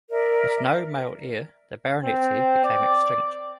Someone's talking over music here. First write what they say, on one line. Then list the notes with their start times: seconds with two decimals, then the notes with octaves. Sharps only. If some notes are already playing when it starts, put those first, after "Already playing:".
With no male heir the baronetcy became extinct.
0.11 A#4 D5 E5
2.04 C4
2.64 D5